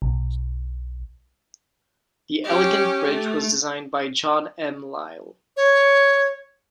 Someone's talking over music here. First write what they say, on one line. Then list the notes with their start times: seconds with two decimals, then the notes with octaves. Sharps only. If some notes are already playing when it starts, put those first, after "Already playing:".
The elegant bridge was designed by John M. Lyle.
0.02 B1
2.44 C#4 G4
3.08 A3
5.57 C#5